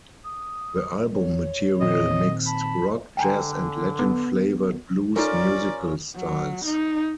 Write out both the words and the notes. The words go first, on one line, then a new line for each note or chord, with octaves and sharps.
The album material mixed rock, jazz and Latin-flavoured blues musical styles.
D#6
C#5
A#2 D#3 C4 D#5
A5 B5
D3 G5 G#5 A#5
B3
C#4 D#4 F4 A4 A#4 D5
F#3
D#4